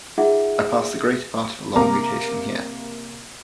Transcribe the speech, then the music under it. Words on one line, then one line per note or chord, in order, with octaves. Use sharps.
I pass the greater part of the long vacation here.
D#4 F4 G#4 E5 F#5
C3 A#3 A#4 A#5 D6